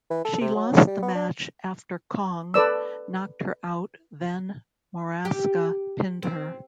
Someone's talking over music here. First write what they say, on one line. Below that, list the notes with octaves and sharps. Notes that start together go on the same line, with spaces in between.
She lost the match after Kong knocked her out then Morasca pinned her.
E3
A4
C3
F#3
C#4
G3
B3
D4
A4 B4 D5 E6
G4
C4